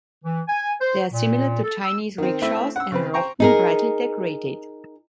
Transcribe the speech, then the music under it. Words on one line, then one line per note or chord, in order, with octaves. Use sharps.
They are similar to Chinese rickshaws and are often brightly decorated.
E3
G#5
C5
A#2
A4
E6
D#3 C4
A3 C4 E4 E5
F#5 E6
C#3 C4 B4
C5 G5 A#5 C#6
D#4 G#4 A#4